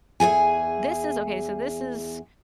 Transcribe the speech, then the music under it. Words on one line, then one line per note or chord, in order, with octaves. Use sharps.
this is okay, so, this is
E2 A#2 G#4 G#5